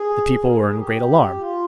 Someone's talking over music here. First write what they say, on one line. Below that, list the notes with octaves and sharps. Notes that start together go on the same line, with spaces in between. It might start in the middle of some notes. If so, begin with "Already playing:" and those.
The people were in great alarm.
Already playing: G#4
A#4
G#4
G4
F4